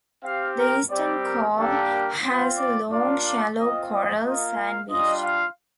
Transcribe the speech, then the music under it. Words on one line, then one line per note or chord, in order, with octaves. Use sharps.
The eastern cove has a long shallow coral sand beach.
C4 G4 F5
A#4
G3 C4 G4 D5
A#4
G3 A#3 D4 G4 A4
A#4
C4 F4 C5
D5
A#3 D4 F4 D5
D5
C4 F4 D#5
D#5
A#3 F4 D#5
F5
G3 D4 F4 D#5
F5